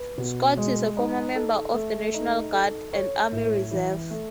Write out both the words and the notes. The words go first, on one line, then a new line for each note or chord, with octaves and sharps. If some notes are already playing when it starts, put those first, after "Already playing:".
Scott is a former member of the National Guard and Army Reserve.
Already playing: B4
B2
G#3
D#4
A4
A3
D#4
A4
C#5
A2
E3
A3